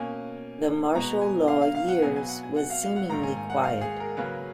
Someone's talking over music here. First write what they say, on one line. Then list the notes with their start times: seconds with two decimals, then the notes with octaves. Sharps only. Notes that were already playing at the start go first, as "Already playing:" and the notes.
The Martial Law Years was seemingly quiet.
Already playing: B2 A#3 C#4 G#5
0.95 B2 G#3 B3 A#5
1.22 G#5
1.48 F5
1.62 F5
1.75 F5
1.88 F#5
2.02 B2 F#3 B3 G#5
2.16 G#5
2.29 F#5
2.43 G#5
2.56 F#5
2.70 F5
2.84 F5
2.96 F#5
3.09 G#2 D#3 A#3 A#5
3.23 G#5
3.37 G#5
3.50 F#5
3.64 F5
3.81 G#4
4.00 A#4
4.17 C#3 F#3 A#3 C#4 B4